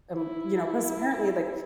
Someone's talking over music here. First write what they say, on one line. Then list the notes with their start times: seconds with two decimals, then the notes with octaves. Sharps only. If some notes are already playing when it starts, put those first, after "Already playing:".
um you know, 'cause apparently, like,
0.14 E4